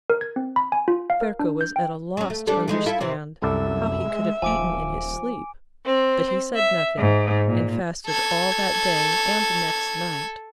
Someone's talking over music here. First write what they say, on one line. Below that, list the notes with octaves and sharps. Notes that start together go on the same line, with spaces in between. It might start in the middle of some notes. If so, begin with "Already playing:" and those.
Ferko was at a loss to understand how he could have eaten in his sleep, but he said nothing, and fasted all that day and the next night.
A#4
G#6
C4
B5
G#5
F4
F5
A#4
D4
G6
G5
F#3 C#4
A3
G3 D4 A4
E3 G#3 D#4
E4 F4 A4
C3 E3 C4
C2 F#2 A4 D5 E5
G#3
D#1 F3 G#5 D6 D7
C4
E5
G#2
A#2
A4 G#6